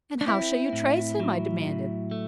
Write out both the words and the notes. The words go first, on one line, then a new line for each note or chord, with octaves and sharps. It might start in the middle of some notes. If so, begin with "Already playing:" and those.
"And how shall you trace him?" I demanded.
D4
C4 E4
A2
F#3
A2
A3